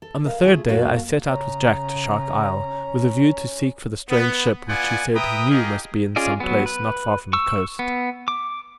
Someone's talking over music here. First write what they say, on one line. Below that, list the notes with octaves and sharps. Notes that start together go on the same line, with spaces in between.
On the third day I set out with Jack to Shark Isle, with a view to seek for the strange ship which he said he knew must be in some place not far from the coast.
A4
A#4 D#5 F5
A3 F4 G#4
F#2 A#3 F#4 A4 F5
C#3 C#4 A#5
B3
B3 F4 D5 F#5 G#5
B4 E5 G5 A#5 D#6
D#4 F4 G4 G#4 A#4 D#5
C#4 F4 G#4 D5 D#5
F#3 B3
B4
C#6 E6
B3
D6